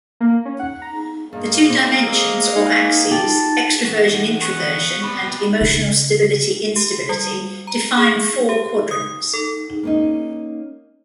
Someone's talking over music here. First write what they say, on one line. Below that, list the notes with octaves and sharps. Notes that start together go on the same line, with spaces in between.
The two dimensions or axes, extraversion-introversion and emotional stability-instability, define four quadrants.
A#3
C#4
F#5
A#5
G2 G#3 A#3
C4
G#4 A4
D#4 G#5
F4 G4 A5
E2 F#4
B3 C#6
C3 G3 B5
C#3
G4
G3
A#5
G#4
G4
D#6
A4
A#3 C#4 D#4